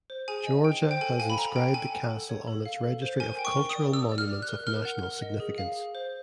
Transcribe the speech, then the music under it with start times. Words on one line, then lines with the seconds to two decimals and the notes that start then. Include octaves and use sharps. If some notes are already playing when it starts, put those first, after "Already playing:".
Georgia has inscribed the castle on its registry of Cultural Monuments of National Significance.
0.10 C5
0.28 G#4 G#5
0.46 D#5
0.65 G5
0.83 C5
0.91 G5
1.01 A4 G#5
1.20 F5 G#5
1.30 B5
1.38 A4 A#5
1.56 C#5 G5
1.74 A4 G#5
1.92 F#5
2.10 A4
2.29 C#5
2.47 A4
2.66 F5
2.84 A4
3.02 C5
3.20 A#4 G#5
3.39 G5
3.45 C#6
3.57 A#4
3.70 D#6
3.75 D5
3.93 G4 E6
4.12 D5
4.18 F6
4.30 G4
4.42 F#6
4.48 A#4
4.67 A#4 F6
4.85 F#5
5.03 A#4
5.22 D#5
5.40 G#4
5.58 F5
5.77 G#4
5.95 C5